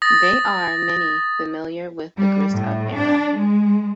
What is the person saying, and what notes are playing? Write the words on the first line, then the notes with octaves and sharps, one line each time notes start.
They are many familiar with the Gris of Error.
D#6 A6 A#6
G3
A2
D4
G#3